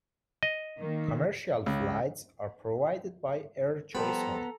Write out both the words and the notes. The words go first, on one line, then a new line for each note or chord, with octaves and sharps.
Commercial flights are provided by Air Choice One.
D#5
D#3 A#3
C#2
F3 G3 B3 A4 A#5 B5